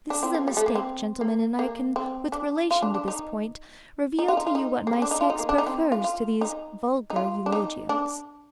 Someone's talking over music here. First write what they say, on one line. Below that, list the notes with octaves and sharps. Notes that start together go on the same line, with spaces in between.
This is a mistake, gentlemen, and I can with relation to this point, reveal to you what my sex prefers to these vulgar eulogiums.
D4
C4
F3
G3
A3
A#3
C4
A#3
A#3
C4
D4
F4
D4
D4
D#4
D#4
F4
D#4
F4
D#4
A#3
C4
D4
D#4
F4
D#4
A#3
D4
D#4
C4
F4
F4
D#4
D#4
F4
D4
D#4
D4